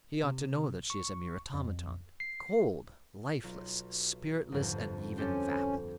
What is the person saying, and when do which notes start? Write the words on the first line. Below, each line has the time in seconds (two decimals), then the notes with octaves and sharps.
He ought to know that she is a mere automaton, cold, lifeless, spiritless, and even vapid.
0.24 C3
0.90 C#6
1.54 F2
2.20 C7
3.43 B1 F4
4.52 G1 F2 G#2
5.17 C#4 G4 A4 C5